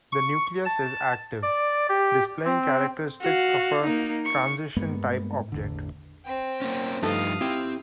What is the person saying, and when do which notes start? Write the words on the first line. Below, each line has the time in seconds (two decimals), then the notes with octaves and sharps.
The nucleus is active, displaying characteristics of a "transition" type object.
0.12 C#6
0.66 A5
1.43 D5
1.89 G4
2.45 C4
3.21 F#4 F5
3.83 A#3 D#4
4.26 C#6
4.76 G2 G#3 A#3 B3
5.52 A1 E2 D3
6.25 C4 G5
6.62 A#3 C#4
7.03 G2 F3 A3 D#4 A4 F5 D#6
7.41 C4 E4 G4